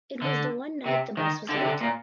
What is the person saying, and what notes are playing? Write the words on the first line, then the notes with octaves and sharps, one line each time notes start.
It was the one night the bus was late.
D3
C3
D#3
D3
C3
D3
A#2